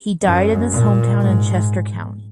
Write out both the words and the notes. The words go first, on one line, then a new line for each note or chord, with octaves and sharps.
He died in his hometown in Chester County.
F#2
A#2
G#2